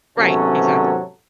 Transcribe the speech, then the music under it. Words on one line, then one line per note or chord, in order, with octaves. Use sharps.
Right. Exactly.
G#1 C3 F#3 B3 C#4 A4